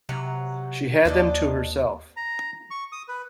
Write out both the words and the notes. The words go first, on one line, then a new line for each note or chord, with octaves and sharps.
She had them to herself.
C3 F#3 F#5 A#5
D#2 D4 D5 D#5
A#5
C#6
D#6
B4